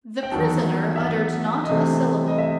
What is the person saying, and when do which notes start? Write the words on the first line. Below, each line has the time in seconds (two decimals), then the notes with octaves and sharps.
The prisoner uttered not a syllable.
0.23 G5
0.31 E2 D#3 F#3 A5
0.96 E5
1.00 F#5
1.64 D#5
1.69 C3 E3 A3 C4 E5
2.28 D#5
2.38 E5